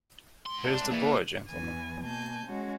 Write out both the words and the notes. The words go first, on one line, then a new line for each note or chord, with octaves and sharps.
Here's the boy, gentlemen!
G#2 C6
C2 D4
E3 A#3 G#4 D5
E2 E3 G#5
B2 A#3 G#5 A5 G6
G#3 C#4 F#4